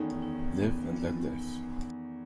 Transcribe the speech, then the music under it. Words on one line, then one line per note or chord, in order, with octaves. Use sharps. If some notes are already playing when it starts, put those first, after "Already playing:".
Live and let live.
Already playing: E2 D#3 A3 C#4 D#4
D#4
B3